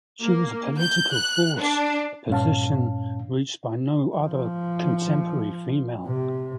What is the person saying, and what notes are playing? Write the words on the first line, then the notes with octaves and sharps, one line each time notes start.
She was a political force, a position reached by no other contemporary female.
A#3
G6
F#6
D4
G2 A#2 C#4 F5 A5
F3
C3